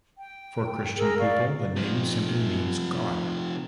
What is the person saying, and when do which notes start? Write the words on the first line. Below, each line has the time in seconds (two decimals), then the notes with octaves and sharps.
For Christian people, the name simply means "God".
0.18 G5
0.97 G#4 A#4 E6
1.19 D5 F5 C#6
1.76 C3 F3